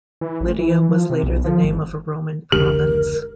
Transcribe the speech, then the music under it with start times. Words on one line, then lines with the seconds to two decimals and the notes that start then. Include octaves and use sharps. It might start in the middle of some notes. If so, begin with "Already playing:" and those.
Lydia was later the name of a Roman province.
0.21 E3
0.41 A1
0.59 E3
0.71 E3
0.89 F3
1.10 C3
1.23 B1
1.44 F3
1.65 G#1
2.52 F1 C#2 D3 G4 A#4